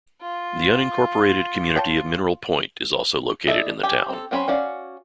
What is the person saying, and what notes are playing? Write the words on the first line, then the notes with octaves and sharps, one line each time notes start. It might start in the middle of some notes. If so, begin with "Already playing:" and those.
The unincorporated community of Mineral Point is also located in the town.
F4
C#5 G5 A5
D4 E4 A4 D#5 E5
G4 G#5
C4 A4
F#3 C4 C#4 F4 B5
C#4 F#4 D5 F5